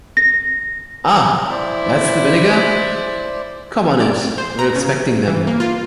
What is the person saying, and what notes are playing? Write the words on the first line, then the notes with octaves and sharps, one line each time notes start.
Ah! That’s the vinegar...? Come on it, we’re expecting them.
A#6
E4 C5 D5
D5
C5
A#5
C#3
E3
A#3
F4